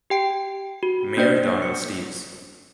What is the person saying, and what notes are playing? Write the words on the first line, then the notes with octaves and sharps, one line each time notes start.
Mayor Donald Steeves.
G4 G5 D7
F#4
A#3 D4 C5 D5
C#7